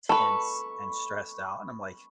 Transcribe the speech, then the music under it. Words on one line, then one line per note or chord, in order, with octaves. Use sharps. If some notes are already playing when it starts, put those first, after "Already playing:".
tense and stressed out and I'm like,
A4 B4 B5 C#6